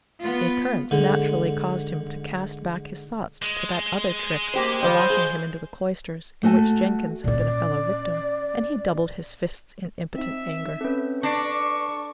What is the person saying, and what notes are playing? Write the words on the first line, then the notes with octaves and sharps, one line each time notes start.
The occurrence naturally caused him to cast back his thoughts to that other trick-the locking him into the cloisters, in which Jenkins had been a fellow-victim--and he doubled his fists in impotent anger.
B3 F4
G#2 D3
G#3
A#3 G4 C5
D#3 G3 F4 C5
G#4
A3 F#4 A4 G#5
A#2 C#4 D5
C4 D#4 E5
C4 C#4 A4 B4
D4 C#6 A#6